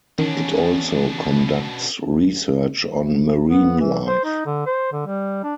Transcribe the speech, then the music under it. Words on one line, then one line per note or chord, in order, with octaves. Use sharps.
It also conducts research on marine life.
B2 D#3 E3 C#4 D4
B3
E3
C5
D#4
D3
C5
D3
G3
D4